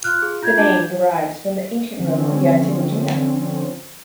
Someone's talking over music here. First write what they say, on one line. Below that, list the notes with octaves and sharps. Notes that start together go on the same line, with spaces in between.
The name derives from the ancient road Via Tiburtina.
F4 F6 F#6
G#4
F4 G6 G#6
D4
D3 F3 C4 C#4